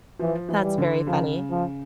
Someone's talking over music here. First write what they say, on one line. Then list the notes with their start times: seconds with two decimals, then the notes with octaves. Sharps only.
That's very funny.
0.20 E3 F3
0.49 E3
0.63 G3
0.78 D3
1.07 C#3 F3
1.51 F3